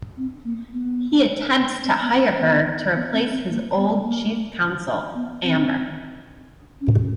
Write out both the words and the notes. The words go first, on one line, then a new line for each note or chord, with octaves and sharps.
He attempts to hire her to replace his old Chief Counsel, Amber.
C4
A#3
B3
C4
B3
A#3
B3
B3
C4
C4
A#3
B3
A#3
B3
C4
C#4